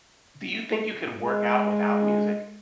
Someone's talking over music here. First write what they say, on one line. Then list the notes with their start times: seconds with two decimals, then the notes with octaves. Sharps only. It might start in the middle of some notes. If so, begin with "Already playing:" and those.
do you think you could work out without music?
1.18 G#3